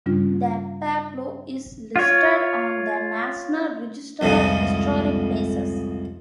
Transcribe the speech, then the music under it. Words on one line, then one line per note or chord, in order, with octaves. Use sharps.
The pueblo is listed on the National Register of Historic Places.
G2 C#3 G3 C#4 D4 F4
F4 C#5
C2 F2 G#2 C#3